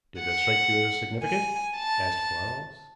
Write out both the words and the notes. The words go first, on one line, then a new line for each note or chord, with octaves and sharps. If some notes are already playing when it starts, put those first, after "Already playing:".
"Did that strike you as significant?" asked Quarles.
F#5
G#5
A5